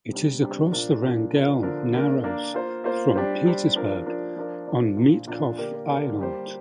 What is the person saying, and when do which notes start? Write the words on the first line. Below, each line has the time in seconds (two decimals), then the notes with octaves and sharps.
It is across the Wrangell Narrows from Petersburg on Mitkof Island.
0.11 C3 G3 D4
0.42 C3 G3 D4
0.72 A#2 F3 D4 A#4
1.02 A#2 F3 D4 A#4
1.33 D3 F3 D4 A#4
1.63 D3 F3 D4 A#4
1.94 A#3 D4 A#4
2.24 A#3 D4 A#4
2.54 A#3 F4 C5
2.84 A#3 F4 C5
3.16 G3 D4 G4 C5
3.46 G3 D4 G4 C5
3.76 F3 D4 A#4
4.06 F3 D4 A#4
4.37 F3 D4 A#4 D5
4.67 F3 D4 A#4 D5
4.97 A#2 F3 D4
5.27 A#2 F3 D4
5.58 D3 A#3 G4 A#4 D5
5.88 D3 A#3 G4 A#4 D5
6.18 G3 A#3 G4 C5